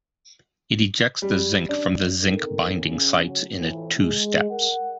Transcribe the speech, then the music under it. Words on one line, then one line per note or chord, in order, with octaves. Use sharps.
It ejects the zinc from the zinc binding sites in a two steps.
G3
D4
C4 D#4 A4 A#4
C#3
F#3
F2 A2 E3
G#3
A#4 F#5